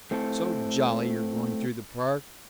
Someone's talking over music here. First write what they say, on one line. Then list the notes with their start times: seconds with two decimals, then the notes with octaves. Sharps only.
"So jolly you're going through the Park."
0.11 A3 C4 E4 A4